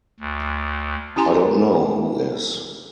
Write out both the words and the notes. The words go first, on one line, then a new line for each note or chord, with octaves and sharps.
I don't know who is.
D2
C#4 E4 G4 G#5 A#5 C6